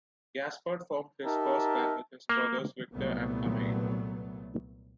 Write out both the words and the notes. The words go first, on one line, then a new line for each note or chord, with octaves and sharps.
Gaspard formed his first band with his brothers Victor and Amade.
D#4 G4 A#4 E5 A5
A#3
C2 A#2 F#3 A3 B3